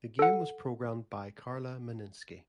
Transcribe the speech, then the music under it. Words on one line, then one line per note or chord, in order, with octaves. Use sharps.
The game was programmed by Carla Meninsky.
A4 F#5